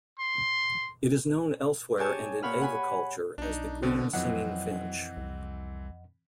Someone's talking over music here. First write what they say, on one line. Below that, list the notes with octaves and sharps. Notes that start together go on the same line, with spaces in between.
It is known elsewhere and in aviculture as the green singing finch.
C6
G4 G#4 C#5 G#5 A5
A#2 C#5 F#5 B5 F6
F#5 G#5 B5
B1 D4 D#4
B2 D3 C4
F2 E3 F#3 C4 D#5 F#5
C2